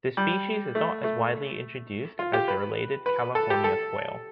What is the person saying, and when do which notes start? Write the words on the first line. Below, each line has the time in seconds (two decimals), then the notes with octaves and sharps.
The species is not as widely introduced as the related California quail.
0.17 G3
0.75 A3
1.04 A3
2.19 F4
2.33 G4
2.48 B4
3.06 B4
3.35 A4
3.50 G4
3.64 A4